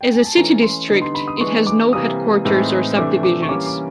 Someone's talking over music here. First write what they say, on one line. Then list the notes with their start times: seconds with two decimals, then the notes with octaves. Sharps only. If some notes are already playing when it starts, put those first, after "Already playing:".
As a city district, it has no headquarters or subdivisions.
0.01 G5
0.13 G#5
0.25 A5
0.37 E3 A3 C#4 A#5
0.62 C6
0.89 D3 G3 B3 D#4
1.02 C6
1.15 B5
1.28 D#6
1.37 C6
1.40 E3 G#3 B3 D4 C#6
1.67 D6
1.93 C3 E3 G3 A#3 D#6
2.45 A2 E3 G#3 C4 D#4
2.97 C3 E3 A3 D4 D6
3.23 D6
3.42 C#6
3.49 E3 G3 A#3 C#4 D6
3.66 D6